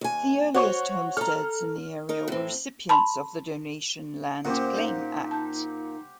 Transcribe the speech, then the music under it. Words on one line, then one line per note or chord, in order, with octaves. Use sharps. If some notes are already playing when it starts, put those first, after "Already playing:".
The earliest homesteads in the area were recipients of the Donation Land Claim Act.
D#2 G#5
F#4 C5 C#5 C#6
A4 A#5 F6
D#4 A#4
A2 C4
A5 B5 C6
A#2 A#3 C#4 G4 C5 F#5
D#4
A5 G6